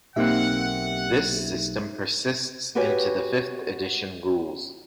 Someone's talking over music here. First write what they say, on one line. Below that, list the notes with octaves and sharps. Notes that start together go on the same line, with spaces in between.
This system persists into the fifth edition rules.
B1 A#3 C4 D#4 G4 E5 F#5
B3 F#4 G4 B4 C#5 G#5